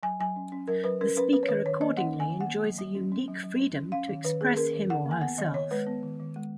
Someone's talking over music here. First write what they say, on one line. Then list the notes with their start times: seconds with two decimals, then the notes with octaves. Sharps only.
The speaker accordingly enjoys a unique freedom to express him or herself.
0.03 F#3 G#5
0.20 F#3 G#5
0.36 C#4
0.52 C#4
0.68 F#3 A#4
0.84 F#3 B4
1.01 C#4 A#4
1.17 C#4 B4
1.33 C#4 B4
1.43 C#5
1.49 D#3 B4
1.65 D#3 C#5
1.81 A#3 D#5
1.97 C#4 F#5
2.14 D#3
2.20 G#5
2.30 D#3
2.40 F#5
2.47 A#3
2.63 F#3
2.79 F#3
2.95 C#4
3.12 C#4
3.28 F#3
3.44 F#3
3.60 C#4
3.76 C#4
3.92 C#4 F5
4.08 D#3
4.24 D#3 B4
4.41 A#3 G#4
4.57 C#4 A#4
4.74 D#3
4.89 D#3 F#5
5.06 A#3
5.11 G#5
5.21 B3 F#5
5.38 D#3 D#5
5.54 D#3 C#5
5.71 G#3 B4
5.87 B3
6.03 D#3
6.20 D#3
6.36 G#3